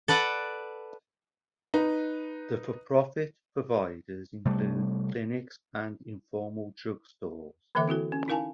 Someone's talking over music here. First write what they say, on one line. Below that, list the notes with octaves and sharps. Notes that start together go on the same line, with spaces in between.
The for-profit providers include clinics and informal drug stores.
A4 B4 D5 F#5
D#4 B4
C3 G3 A3
D3 E3 A#3 A4 E5 D6
C4 E4 F#4 A4
C#4
D#4 E4 A#4 F5 G#5 A5